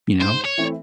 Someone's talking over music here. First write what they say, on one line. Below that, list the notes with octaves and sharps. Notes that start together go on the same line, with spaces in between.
you know,
G#2 C5
C#5
E3 A3 C4 E4